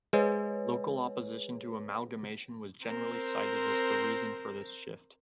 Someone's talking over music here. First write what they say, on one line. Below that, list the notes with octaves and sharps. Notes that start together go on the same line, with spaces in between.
Local opposition to amalgamation was generally cited as the reason for this shift.
G#3 G#4 B4 C#5
C4 A#4 C5